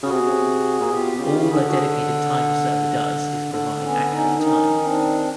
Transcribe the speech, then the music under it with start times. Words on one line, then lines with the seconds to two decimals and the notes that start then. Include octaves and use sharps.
All a dedicated time server does is provide accurate time.
0.03 C#3 F#4 G#4
0.11 C3
0.20 B2
0.28 C3
0.80 A#2 F#4
0.89 B2 F4 G4
1.19 C#3 F4 G4
1.48 D3 G#4
1.57 A4
1.65 F#4 G#4
3.53 D3
3.76 C4
3.82 B3 C#4
4.11 C#4 D#4
4.40 D#3 C#4 D#4
4.83 C4 D4